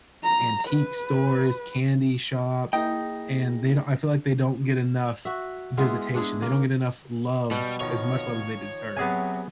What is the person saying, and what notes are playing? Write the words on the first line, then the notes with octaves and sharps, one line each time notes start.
antique stores, candy shops, and they don't I feel like they don't get enough visitation. They don't get enough love, as much love as they deserve.
A#5
B4
A#3 D#4 E4 G#4 G5
F#4 E5
G#3 B3 E4 F4
G#3 D4 E4 G#4
A#3
B2 G3
D#3 F3 C#5
C3 F#3 B3 G#4 G#5